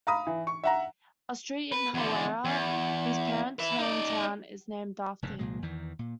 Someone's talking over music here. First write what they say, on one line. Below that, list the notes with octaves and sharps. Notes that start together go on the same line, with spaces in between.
A street in Hawera, his parent's home town, is named after him.
F5 A#5 B5 D#6
E3
C#6
E5 F#5 A#5
B4
E2 D3
E2
B4 E5
D#4 D5
F1 G2 C#3
C2 A#2 G#3
E2 D#3 E3
A#2